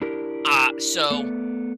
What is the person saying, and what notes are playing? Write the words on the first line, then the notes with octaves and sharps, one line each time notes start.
Ah, so,
D4 E4 G4 A#4
A3 B3 C#5 D5